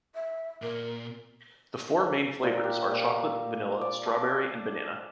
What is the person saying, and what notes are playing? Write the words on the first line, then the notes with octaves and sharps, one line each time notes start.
The four main flavors are chocolate, vanilla, strawberry, and banana.
E5
A#2 A#4
A#2
G4
A#2
D5
A5